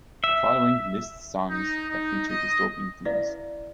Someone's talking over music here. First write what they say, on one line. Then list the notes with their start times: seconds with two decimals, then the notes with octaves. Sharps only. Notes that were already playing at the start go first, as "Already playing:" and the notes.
The following lists songs that feature dystopian themes.
0.24 E5
1.50 D#4
1.89 D#4
2.28 D#5
3.05 E4 B4 D5 E5 F5